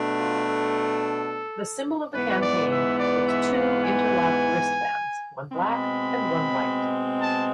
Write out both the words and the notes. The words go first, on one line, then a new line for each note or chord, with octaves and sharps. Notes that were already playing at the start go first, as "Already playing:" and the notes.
The symbol of the campaign is two interlocked wristbands, one black, and one white.
Already playing: B2 A3 D4
F4
A4
G#2 E3 B3 B4
D5
E5
D5
E5
F5
G#5
B2 G#3 C4 B5
A5